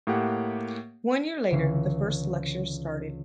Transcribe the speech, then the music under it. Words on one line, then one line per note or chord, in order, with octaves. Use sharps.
One year later the first lectures started.
A2 A#3 G4 F#5
C#2 D3 E3 C#4 C7 C#7